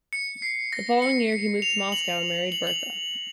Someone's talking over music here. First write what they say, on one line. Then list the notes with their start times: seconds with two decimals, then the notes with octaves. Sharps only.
The following year, he moved to Moscow and married Bertha.
0.13 C#7
0.42 C7
0.73 A#6
1.02 C#7
1.32 C#7
1.62 F7
1.92 F#7
2.52 F#7
2.67 F#7